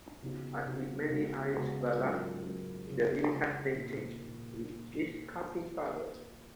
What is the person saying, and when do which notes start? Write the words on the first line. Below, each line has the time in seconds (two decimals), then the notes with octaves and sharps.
As with many Irish ballads, the lyrics have been changed with each passing cover.
0.22 C#3 F3 B3 D#4 F#4
0.66 C#3 F3 B3 D#4 F#4
1.10 C#3 G#3 B3 F#4
1.54 C#3 G#3 B3 F#4
1.98 G#2 F#3 C#4 F4 A#4
2.42 G#2 F#3 C#4 F4 A#4
2.86 C#3 F3 G#3 C#4 G#4
3.30 C#3 F3 G#3 C#4 G#4
3.74 A#2 F3 A#3 D#4
4.18 A#2 F3 A#3 D#4